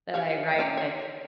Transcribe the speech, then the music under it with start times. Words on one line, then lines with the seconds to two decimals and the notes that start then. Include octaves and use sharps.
that I write, like,
0.14 G4 C#5 F5
0.59 C#4 D5 A#5
0.77 C#5